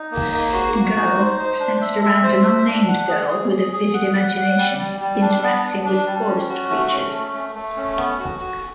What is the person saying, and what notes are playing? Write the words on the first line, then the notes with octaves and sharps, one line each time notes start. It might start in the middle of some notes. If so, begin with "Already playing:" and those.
"Girl" centered around an unnamed girl with a vivid imagination interacting with forest creatures.
Already playing: D#4
A#3
A#3
F#4
F#4
D#4
C5
C5
D4
E5
E5
C5
E5
D4
F#5
G#4
G#4
G#4
G#4
F#5
F#5
F#5
G3
G3
G3
D4
B3
D4
D4
G3
C#4
F#4
A3
C#4
A3
A3
A3
C#4
B3
F#4
F#4